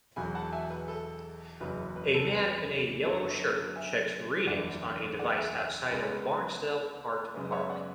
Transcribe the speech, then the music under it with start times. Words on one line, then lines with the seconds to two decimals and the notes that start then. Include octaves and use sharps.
A man in a yellow shirt checks readings on a device outside of Barnsdall Art Park.
0.16 E1 E2 B2 F#3 G#5 B5
0.35 F#5 A5
0.53 E5 G#5
0.70 B4
0.88 A4
1.60 F#1 E2 C#3 F#3 B4
1.96 B4
2.14 A4
2.32 B4
3.04 F#2 D3 F#3 B3 A4 C#5
3.76 E5 G#5
4.47 F#1 E2 D3 D5 F#5
5.19 D5 F#5
5.37 E5 G#5
5.55 E5 G#5
5.90 C#2 C#3 G#3 B3 G#5 B5
7.34 F#2 C#3 G#3 B3
7.52 C#5 E5
7.70 D5 F#5